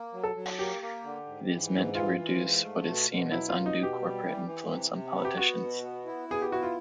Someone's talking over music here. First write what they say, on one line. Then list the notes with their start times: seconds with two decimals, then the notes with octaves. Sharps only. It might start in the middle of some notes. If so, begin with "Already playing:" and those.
It is meant to reduce what is seen as undue corporate influence on politicians.
Already playing: A#3
0.13 F#3
0.24 A4
0.35 F#3
0.59 A#3 G4
0.82 A#3
1.04 D3
1.26 G#2
1.50 E3
1.72 G#2
1.95 E3 F4
2.17 E3
2.41 G#2
2.63 A3
2.86 B2
3.10 B2
3.31 F#3 E4
3.49 F4
3.54 B2
3.66 D#4
3.77 B2
3.83 G4
4.00 G3
4.23 E3
4.46 E3
4.69 C3
4.91 C3
5.14 B3
5.25 G4
5.37 B3 F#4
5.60 B2
5.83 B3
6.05 E4
6.29 B3 G#4
6.42 G4
6.51 E4 F#4
6.63 F4